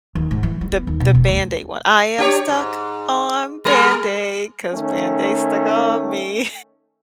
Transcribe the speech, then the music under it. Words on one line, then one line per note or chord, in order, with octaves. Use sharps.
the the Band-Aid one. I am stuck on Band-Aid 'cause Band-Aid's stuck on me.
D#2
G#2
E3
G3
B3
D#2
B2
E1
D2
D4 G4 C#5
G#2
G3 G#4 A#4
D#3 A3 C#4